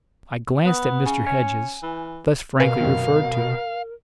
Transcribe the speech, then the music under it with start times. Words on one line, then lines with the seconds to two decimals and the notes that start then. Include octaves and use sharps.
I glanced at Mr. Hedges, thus frankly referred to.
0.65 B3 F#5 B5 D#6
1.06 C#3 G#5
1.26 C#4
1.83 E3
2.60 B2 A#4 B4 F5 G#5
2.80 F#2 C3 D#3